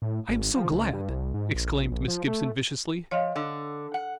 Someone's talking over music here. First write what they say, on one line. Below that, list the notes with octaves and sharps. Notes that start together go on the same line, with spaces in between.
"I am so glad," exclaimed Miss Gibson viciously.
A2
G#1
F3
C#2
G2
C2
G#2
A#1
A#1
F3
A3
F3 C#5 D#5 F5
D3
F#5